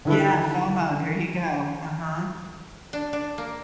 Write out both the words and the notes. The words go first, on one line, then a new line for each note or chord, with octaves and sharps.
Yeah, FOMO, there you go, uh-huh.
D3 D#3 E4 A4 B4
D4
D4
A#3